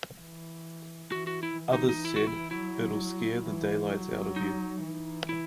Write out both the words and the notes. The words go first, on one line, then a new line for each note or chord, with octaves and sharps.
Others said, "It'll scare the daylights out of you".
E3
E3 F#4
F#4
E4
E3
D#4
D#4
E4
F#4
E4
F#3 E4
E3
F#3
D#4
E3
E4